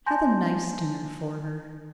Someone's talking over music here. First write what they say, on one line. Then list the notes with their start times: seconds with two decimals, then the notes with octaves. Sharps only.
Have a nice dinner for her.
0.06 G#5 A5 C6 G6 A#6